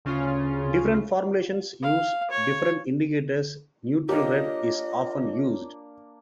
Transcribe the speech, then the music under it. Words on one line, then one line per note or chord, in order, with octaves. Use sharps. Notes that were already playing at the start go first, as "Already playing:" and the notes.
Different formulations use different indicators; neutral red is often used.
D2 C#3 C#4 F4
F5
C#5
A#3 D4 F4 G4 C#5 D#5